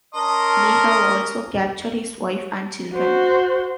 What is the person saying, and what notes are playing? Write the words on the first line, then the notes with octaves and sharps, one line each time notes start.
We have also captured his wife and children'.
C#4 A#4 D#5 A5 C6
F#4 C5